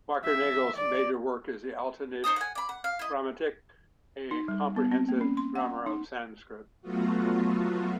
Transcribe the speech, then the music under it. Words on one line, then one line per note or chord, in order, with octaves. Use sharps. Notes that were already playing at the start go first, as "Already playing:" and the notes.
Wackernagel's major work is the "Altindische Grammatik", a comprehensive grammar of Sanskrit.
E5
D5
D#4 C5 A5 D#6
F#5 G#5
D5 B5
F#5
F5
E4 D#5
D#4
G3
B3
C4
A#3
C#4
C6
F#5
D#4
F#3 A3 B3 F4 F#4